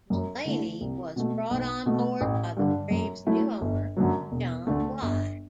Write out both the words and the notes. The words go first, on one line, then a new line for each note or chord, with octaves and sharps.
Mullaney was brought on board by the Braves' new owner, John Y.
F#2
D3 A3 E4
C2
B2 A3
B1
B2 A3
A1
G2 D3
F#2
F#3 A3 E4
G1
F#2 D3 F#3
E1
D2 D3 A3
G1